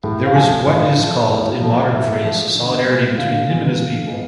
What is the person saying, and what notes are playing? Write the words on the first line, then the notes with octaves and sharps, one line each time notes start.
There was what is called, in modern phrase, solidarity between him and his people.
A2
F5
F3 A3 G#5
A2 F5
F3 A3
A2
F3 A3
A2 E5
F3 A3
D3
G#3 B3
D3 F5
G#3 B3
D3
B3